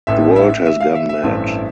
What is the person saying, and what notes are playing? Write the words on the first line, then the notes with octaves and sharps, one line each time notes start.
The world has gone mad.
A1 A2 E3 E5
E5
E5
F5
E5
E5
A1 G2 E3 A3 C4